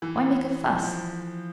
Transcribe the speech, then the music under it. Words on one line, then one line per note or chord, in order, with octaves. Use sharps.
Why make a fuss?
E3
F3